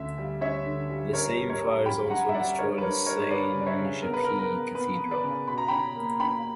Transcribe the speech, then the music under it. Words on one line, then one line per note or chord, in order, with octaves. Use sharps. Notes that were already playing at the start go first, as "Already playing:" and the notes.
The same fires also destroyed the Saint-Jacques Cathedral.
Already playing: D2 C#4 E5
G3
C#4 C#5 E5
D3
G3
C#4 A#4 C#5
G3
A#4 C#5
G3
F#2 G5 B5
C#4 F#5 A#5
E5
G3 D5 F#5
D4 A#4 C#5
B4
D4 A#4 C#5
G3 A#4 C#5
C#5
D4 B4 D5
C#3
D5
C#5 E5
C#3
B3 A#4
B4
A#4
B3
A#4
B3
B3 B4
B3
B4 D5
C#3
B2 B5
A#5
C#4 G5 B5
A#3
C#4 G5 B5